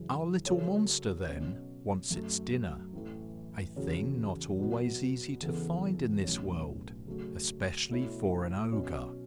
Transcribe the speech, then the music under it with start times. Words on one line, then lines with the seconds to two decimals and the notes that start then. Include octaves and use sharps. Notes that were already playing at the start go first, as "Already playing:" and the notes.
Our little monster, then, wants its dinner, a thing not always easy to find in this world, especially for an ogre.
Already playing: F#2 C#3 E3
0.46 C#3 F#3 C#4 A4 C#5
1.28 B2 F#3 C#4
2.11 F#2 F#3 A3
2.93 A1 A2 E3 A3
3.76 E2 C#3 F#3 C#4
4.59 B2 F#3 B3
5.42 E2 C#3 E3 B3 A4
6.24 B1 A2 F#3 C#4
7.07 C#3 F#3 A3 F#4
7.89 B2 A3 E4 C#5
8.72 B2 F#3 C#4